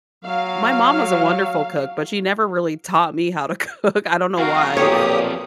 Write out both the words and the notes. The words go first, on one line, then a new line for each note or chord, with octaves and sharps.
My mom was a wonderful cook, but she never really taught me how to cook. I don't know why.
F#3 F5
F2 F#4 A#4 F5
B1 A#2 G4 C#5 D#6